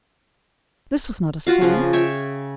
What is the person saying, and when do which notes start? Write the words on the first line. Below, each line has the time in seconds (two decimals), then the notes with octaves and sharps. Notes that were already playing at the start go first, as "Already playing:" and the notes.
This was not a song.
1.47 F4 F#4 F5
1.61 C#3 F3
1.93 C#5 E5 G5